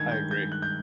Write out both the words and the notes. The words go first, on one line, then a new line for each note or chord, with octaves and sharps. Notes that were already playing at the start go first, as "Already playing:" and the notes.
I agree.
Already playing: G2 D#3 G#3 G#6
G6
G6
F#6
G6